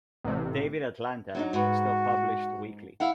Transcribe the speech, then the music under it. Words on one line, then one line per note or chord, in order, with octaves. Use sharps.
"David Atlanta" is still published weekly.
A1 C3
F#3 D4 D#4
G#2 F#4 B4
E4 F5 F#5